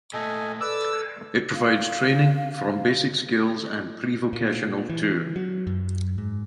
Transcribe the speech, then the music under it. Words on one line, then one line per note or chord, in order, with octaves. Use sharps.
It provides training, from basic skills and prevocational to.
A#2 A3 A4 D#5 G#5
A4 B4 D5 D6 E6
F5
A#2
E3
F#3
F#2
G#2